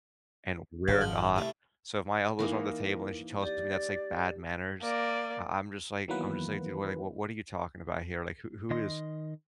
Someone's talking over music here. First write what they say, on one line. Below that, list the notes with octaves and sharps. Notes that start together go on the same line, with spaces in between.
and we're not. So if my elbows are on the table, and she tells me that's, like, bad manners, I I'm just like I'm just like, "Dude, what, like what what are you talking about here? Like, who who is
G#1 G#2 C#3
F3
C2 A3
E3 A#3 D#4 A#4
G4 D5
A#3 D5
D#3 E3 F#3 A#3 B3 B4
D#3 D#5 C6